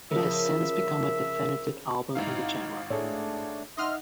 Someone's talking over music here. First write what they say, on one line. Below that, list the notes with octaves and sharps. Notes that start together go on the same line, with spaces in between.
It has since become a definitive album in the genre.
C#3 F3 A#4 E5
G#1 D#4 E4 F5
A2 A3 D4 G#4 A4 C#5
D#4 D#5 E5 F#5 C6 F6